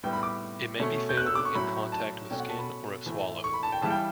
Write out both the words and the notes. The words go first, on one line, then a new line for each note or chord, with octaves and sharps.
It may be fatal in contact with skin or if swallowed.
A2 G3 B3 G5
B5
D6
B2 A3 C#4
G6
F#6
E6
D6
C#6
A2 F#3 C#4 B5
A5
B2 A3 C#4 G5
F#5
A5
B5
A2 E3 A3
C#6
B5
A5
G5
C#3 E3 G3 A5
G5